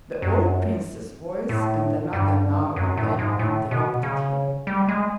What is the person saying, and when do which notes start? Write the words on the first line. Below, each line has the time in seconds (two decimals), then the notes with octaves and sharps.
The old prince's voice and another now and then interrupted him.
0.22 F#2
1.49 A2
2.13 G2
2.76 F#2
2.97 A2
3.19 G#2
3.39 A2
3.71 B2
4.03 C#3
4.67 G3
4.88 G#3